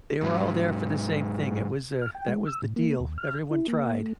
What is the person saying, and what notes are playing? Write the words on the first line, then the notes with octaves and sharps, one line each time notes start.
they were all there for the same thing. It was, uh, that was the deal. Everyone tried.
G#2 F#3
F6
G5
G#3
E6
A2
A#3
D#2
F6
E4
A#3
A3